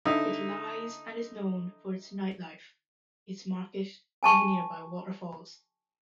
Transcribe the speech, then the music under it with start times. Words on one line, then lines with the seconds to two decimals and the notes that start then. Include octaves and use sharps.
It lies and is known for its nightlife, its market and the nearby waterfalls.
0.05 D3 D#4 E4
4.23 G#5 A5 C#6